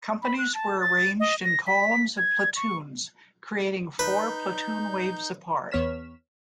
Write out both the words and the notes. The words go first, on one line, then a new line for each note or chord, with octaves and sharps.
Companies were arranged in columns of platoons, creating four platoon waves apart.
B5
F#6
A5
A6
D#5
A#6
B6
G#6
C#6
D#4 B4 G6
E2 B3 C#5 F6 B6 E7